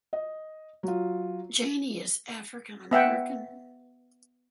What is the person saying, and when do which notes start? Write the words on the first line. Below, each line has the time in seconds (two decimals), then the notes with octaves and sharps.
Janey is African American.
0.13 D#5
0.83 F#3 F4
2.91 B3 E5 F#5 G5